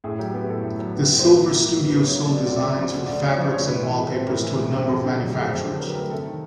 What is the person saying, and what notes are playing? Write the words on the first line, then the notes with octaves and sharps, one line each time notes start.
The Silver Studio sold designs for fabrics and wallpapers to a number of manufacturers.
A2 G#4
F#3 G4
B3 G4
A2 A4
A2
F#3
B3
A2
C5
B2 B4
F#3
A#3
B2
B2 B4
F#3 C#5
A#3
D5
B2
D2 D5
C#3
F3
D2
D2 D5
C#3 C#5
F3
D2 C#5
A2 B4
E3
G#3 B4
C4
A2 A#4
E3
G#3
C4
F2 G#4
D3 G4
F#3 G4
A3 G4
F2 G#4
D3
F#3 A#4
B4
A3 A#4
C3 A4
D#3